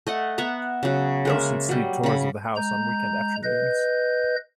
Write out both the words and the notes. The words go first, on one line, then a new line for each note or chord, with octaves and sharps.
Docents lead tours of the house on weekend afternoons.
A3 D#5 F#5
B3 E5 F#5 A#5
C#3 F#3
G#3 A#3 E5
F#3 G3
C#3 B5
G#3 A#5 G6
B4 D#5 G6